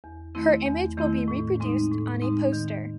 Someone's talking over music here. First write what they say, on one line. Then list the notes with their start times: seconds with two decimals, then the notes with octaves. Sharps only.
Her image will be reproduced on a poster.
0.04 E2
0.35 D#3 A3 C4 E4
0.66 E2
0.97 D#3 A3 C4 E4
1.28 A2
1.60 G#3 C4 D#4
1.91 A2
2.22 G#3 C4 D#4
2.53 D#3